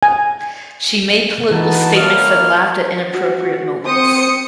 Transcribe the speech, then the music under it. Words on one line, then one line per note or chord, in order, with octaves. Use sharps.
She made political statements and laughed at inappropriate moments.
G#5
E3 B3 D#4 F#4 A5
F#2 B2 A#3 C#5 D#5 F6
F#4
C4 C5 D#6 C#7